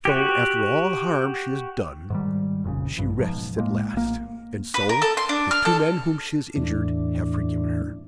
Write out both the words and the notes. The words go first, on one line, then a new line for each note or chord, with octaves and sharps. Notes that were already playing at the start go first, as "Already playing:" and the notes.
So, after all the harm she has done, she rests at last; and so the two men whom she has injured have forgiven her.
F#4 G4
G#2 D#3 G3
F1 A#1 G#2 C#3
A#1 G2
B1 G#2 F3
A2 G#3 A#3
A#1 A#3
B4
A#4
A4
C6
D4
F6
A4
E2 A2 E3 D4